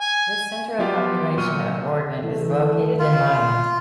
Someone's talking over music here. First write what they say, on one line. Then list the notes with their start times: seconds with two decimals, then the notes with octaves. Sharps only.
The center of population of Oregon is located in Lyons.
0.01 G#5
0.79 F#3 B3 F4 G4 D5
1.37 A#2 F#3 C#6 F6 D#7
2.23 E3 A3
2.99 F4